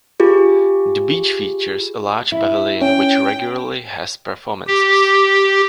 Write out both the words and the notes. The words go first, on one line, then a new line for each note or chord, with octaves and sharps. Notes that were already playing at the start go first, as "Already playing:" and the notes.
The beach features a large pavilion which regularly has performances.
F4 G4 G#4
E4 E5
C#4 G5
G4